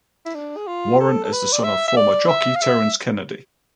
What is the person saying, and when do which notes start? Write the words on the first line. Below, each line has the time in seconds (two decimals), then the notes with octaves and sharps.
Warren is the son of former jockey Terrence Kennedy.
0.26 E4
0.35 D4
0.56 G#4
0.67 F4
1.00 A4
1.25 A4
1.33 B4
1.52 D5
1.64 E5
1.88 E5
1.97 D5
2.29 E5
2.55 F5
2.61 E5